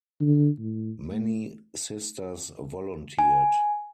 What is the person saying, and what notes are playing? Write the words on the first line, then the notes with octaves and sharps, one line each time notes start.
Many sisters volunteered.
D3
A2
A3
G#5